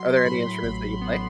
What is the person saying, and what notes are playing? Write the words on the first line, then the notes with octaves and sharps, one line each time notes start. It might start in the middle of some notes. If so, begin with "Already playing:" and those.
Are there any instruments that you play?
Already playing: F#3 C6
C6
A2 B5
A1 B5
B3